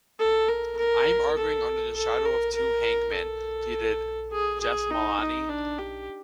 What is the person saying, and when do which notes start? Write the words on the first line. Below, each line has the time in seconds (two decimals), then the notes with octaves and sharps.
"I am arguing under the shadow of two hangmen", pleaded Jethmalani.
0.19 A4
0.49 A#4
0.77 A#4
1.37 A4
1.96 A4
2.25 A#4
2.55 A#4
3.14 A4
4.31 G#4
4.61 G#4
4.91 D#4
5.21 D#4
5.49 D4
5.79 G4